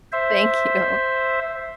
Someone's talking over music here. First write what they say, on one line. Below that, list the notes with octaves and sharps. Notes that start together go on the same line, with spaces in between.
Thank you.
C5 E5